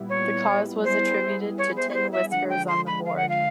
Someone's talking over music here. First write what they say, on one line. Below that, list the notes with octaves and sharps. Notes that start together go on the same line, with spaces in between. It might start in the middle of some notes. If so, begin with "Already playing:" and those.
The cause was attributed to tin whiskers on the board.
Already playing: A#2 G3 B3 E4
C#5
G3 B3 E4 G#4 C5
C#5
C5
C#5
C5
E5
D3 F3 G#3 F#5
G5
C6
B5
F5
F#5
F5